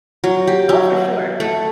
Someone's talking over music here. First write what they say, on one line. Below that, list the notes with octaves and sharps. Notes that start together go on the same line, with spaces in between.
Oh, for sure.
F#3
G4
F#3
A3